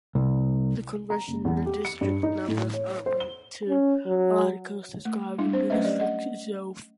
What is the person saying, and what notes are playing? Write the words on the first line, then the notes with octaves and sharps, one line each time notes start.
The congressional district numbers are linked to articles describing the district itself.
C2
A#5
F#1
E2
G4
C#7
G2
D#4
A2
C#5
C5
G7
C#4
F#3
A3
G3 D4 E4 E5
C4 D4 C5
F#3 A3 C#4 B4 D#5 E5
G4 D5 D#5
D#5 F#5